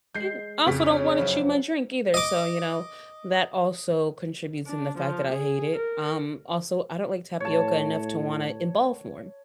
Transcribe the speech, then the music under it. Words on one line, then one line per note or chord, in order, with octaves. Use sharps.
you know, I also don't wanna chew my drink either, so, you know, that also contributes in the fact that I hate it. Um, also, I don't like tapioca enough to wanna involve more.
G#3 G6 C7
F2 C#3 B6
C#4
F#2 F3 E4
D#5 D6
D4
F3
G#4
A#4
A2 C#5 A5